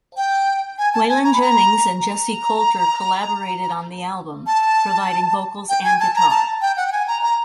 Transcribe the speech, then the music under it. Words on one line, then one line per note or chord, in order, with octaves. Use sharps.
Waylon Jennings and Jessi Colter collaborated on the album, providing vocals and guitar.
G5
G#5
A5
G#5
A#5
B5
A#5
A#5
A5
G5
G#5
A5
A#5
A5
G5
F#5
G5
G#5
A#5
A#5